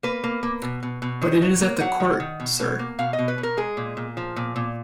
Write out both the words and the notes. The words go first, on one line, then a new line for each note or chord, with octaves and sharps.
But it is at the Court, sir.
A#3 B4
A#3
A#3
B2
B2
B2
D#3
F#3
A#3
F#3 F#5
D#3
D#3
B2
B2
A#3
B2 F5
D#5
B2
B4
B2
A#4
G#3 G#4
A#2
A#2
F3
A#2
A#2